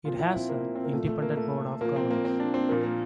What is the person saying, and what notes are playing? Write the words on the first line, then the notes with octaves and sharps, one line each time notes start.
It has an independent board of governors.
A#2 F3 F4
E4
C4
A#3
C4
A#3
A#2 F3 A3
A3
A#3
A3
A#2 F3 A#3
C4
A#3
C4
D4
C4
A#2 F3 A#3
A#3